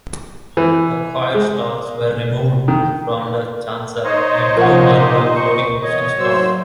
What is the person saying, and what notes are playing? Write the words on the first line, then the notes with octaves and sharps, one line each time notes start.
The choir stalls were removed from the chancel and new marble flooring was installed.
E3
G#3
D#3
D#4 C5 C#5 D#5
F3 A#4 C#5 F#5
A#2 G4
C#6
E2 C#5 D#5
F#3 C5 E6